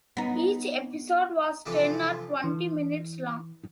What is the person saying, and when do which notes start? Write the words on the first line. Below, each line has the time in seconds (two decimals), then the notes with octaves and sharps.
Each episode was ten or twenty minutes long.
0.17 B3 D#4
1.66 C3 E3 F3 D4 A4
2.44 E3